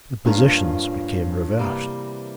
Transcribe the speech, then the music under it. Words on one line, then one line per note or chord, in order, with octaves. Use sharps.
The positions became reversed.
G2 F3 A#3 C#4 F4
C3 E3 G3 A#3